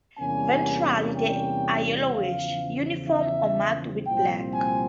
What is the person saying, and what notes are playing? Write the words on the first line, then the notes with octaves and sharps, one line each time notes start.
Ventrally they are yellowish, uniform or marked with black.
E2 C3 G3 A#3 C#4 G#5
G5
E2 C#3 F3 F5
E5
C2 A#2 F3 C4 G5
G#5